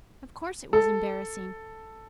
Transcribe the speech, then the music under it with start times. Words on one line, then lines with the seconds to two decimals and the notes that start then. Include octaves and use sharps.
Of course it was embarrassing.
0.73 A4